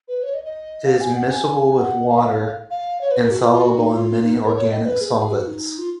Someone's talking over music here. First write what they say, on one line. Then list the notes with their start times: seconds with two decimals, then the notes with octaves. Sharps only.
It is miscible with water and soluble in many organic solvents.
0.08 B4
0.23 C#5
0.34 D#5
0.44 D#5
0.85 F5
1.01 G#5
1.15 F#5
1.31 G#5
1.78 F#5
2.09 F5
2.18 D#5
2.28 F5
2.70 F5
3.01 C#5
3.11 B4
3.21 A#4
3.31 F#4
3.42 F4
3.52 F4
3.63 F#4
3.77 D#4
3.93 F4
4.24 D#4
4.45 A#4
4.55 C#5
4.71 D#5
4.85 B4
5.01 G#4
5.16 G#4
5.32 F#4
5.47 D#4
5.78 F4